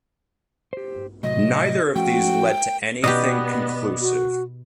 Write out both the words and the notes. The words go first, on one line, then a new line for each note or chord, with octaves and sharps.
Neither of these led to anything conclusive.
G4 C5
A2 C3 F#3 D#5
F3 A3 C#4 F#4 G5
B2 B3 D#4 G4 D5 D#5
F#4